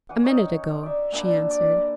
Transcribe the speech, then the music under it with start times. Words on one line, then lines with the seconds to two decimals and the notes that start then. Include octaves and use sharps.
"A minute ago," she answered.
0.09 E3 F#5
0.24 C#4 D#4 C#5
0.83 D5 E5
1.12 A#2 D4 E5 B5
1.51 D5